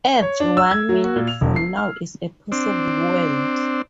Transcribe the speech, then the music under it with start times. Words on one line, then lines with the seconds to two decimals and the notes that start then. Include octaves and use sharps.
Earth one minute from now is a "possible world".
0.22 C#5
0.40 D4
0.57 E6
0.71 G#6
0.89 F#3
1.04 F#4
1.16 A#2
1.28 F7
1.41 E1
1.56 C7
1.77 F6
2.52 C4 D4